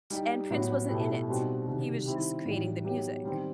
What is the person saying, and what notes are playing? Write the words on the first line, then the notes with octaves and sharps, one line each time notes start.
and Prince wasn't in it, he was just creating the music.
G3 D#4 G4
A2 F#3 B3 F#4
B2 A3 E4 G4
B2 G3 C4 D#4 F#4
C3 D#3 G3 D#4 F#4
D#3 G3 C4 E4 G4
A2 E3 G3 D#4 F#4
F#3 B3 D#4 G4
D#3 G3 C4